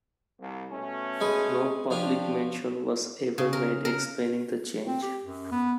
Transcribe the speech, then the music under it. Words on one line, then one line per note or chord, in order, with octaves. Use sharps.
No public mention was ever made explaining the change.
C2
B2 A3 C#4
G#3 G#4 B4
F3 C#4 D4 F4 G4
C#3
A#4
A#4
C4
G4
F#2
B3